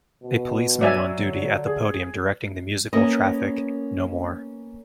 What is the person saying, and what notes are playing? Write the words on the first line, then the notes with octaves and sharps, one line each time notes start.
A policeman on duty at the podium directing the musical traffic, no more.
B2
F#3 D5 E5 G#5
D3
G#4
A#3 B3 C#4 A#4 D#5